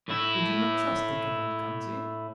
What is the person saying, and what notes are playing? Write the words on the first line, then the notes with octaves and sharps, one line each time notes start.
"Would you not trust the Cavalcanti?"
A2 E4